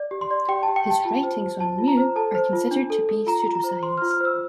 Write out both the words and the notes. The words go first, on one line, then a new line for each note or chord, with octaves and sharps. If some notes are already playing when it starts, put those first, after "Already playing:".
His writings on Mu are considered to be pseudoscience.
Already playing: D5
G4
C6
D5
G4 G5
G4 A5
G5
G4 A5
F4 A5
C5
C5
F4 A5
F4
A#5
C5
A4 A5
C5
F4
D4
A4
A4
F4 A#5
F4
A#5
C5
C5 C6
F4 F6
F6
C5 E6